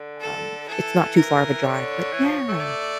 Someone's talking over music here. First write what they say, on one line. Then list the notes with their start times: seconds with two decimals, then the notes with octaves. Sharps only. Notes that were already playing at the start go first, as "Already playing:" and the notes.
um, it's not too far of a drive but yeah.
Already playing: D3
0.20 A4
0.68 E3 A4
1.16 A#4
1.64 D3 C#5
2.12 E3
2.25 F3
2.49 A3
2.60 D5